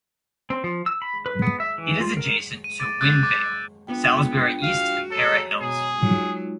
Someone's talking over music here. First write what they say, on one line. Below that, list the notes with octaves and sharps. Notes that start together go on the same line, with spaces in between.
It is adjacent to Wynn Vale, Salisbury East and Para Hills.
C4
F3
E6
B5
B4
B3
E5
E3
F4
A#4
D#7
D6 A6 D7 D#7
E6 F#6 G6 A6
D6 A6
F#6
B3 D4 F4 G5
F#4 F5
A4 C#5 A#5
B2 G#4
F#3 G#3 D#4 F4